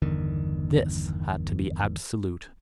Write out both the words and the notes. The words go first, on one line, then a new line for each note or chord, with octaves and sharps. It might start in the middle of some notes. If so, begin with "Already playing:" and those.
This had to be absolute.
G1 E2 D3 D#3